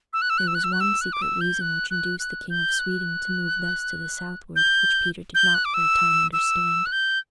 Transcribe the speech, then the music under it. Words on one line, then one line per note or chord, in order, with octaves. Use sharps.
There was one secret reason which induced the King of Sweden to move thus to the southward which Peter did not for a time understand.
E6
F#6
E6
F#6
E6
F#6
E6
F#6
E6
F#6
D6
E6
G6
F#6
F#6
F#6
G6
F#6
G6
G6
F#6
D6
E6
E6
F#6
G6